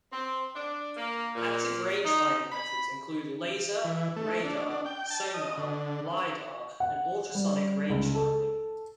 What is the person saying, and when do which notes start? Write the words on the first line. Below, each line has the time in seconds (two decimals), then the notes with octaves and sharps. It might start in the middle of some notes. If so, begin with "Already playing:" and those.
Active rangefinding methods include laser, radar, sonar, lidar and ultrasonic rangefinding.
0.12 C4
0.55 D4
0.96 A#3
1.35 A#2
2.05 D#4
2.52 B5
3.85 E3
4.16 A3
4.44 D4
4.70 D4
4.86 G5
5.10 A5
5.34 D#5
5.57 D3
6.80 F#5
7.35 G3
7.90 C#2
8.14 A4